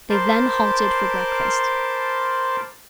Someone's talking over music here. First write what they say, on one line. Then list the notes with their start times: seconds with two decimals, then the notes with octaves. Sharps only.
They then halted for breakfast.
0.10 A#4 C5 A5 B5 C6 D6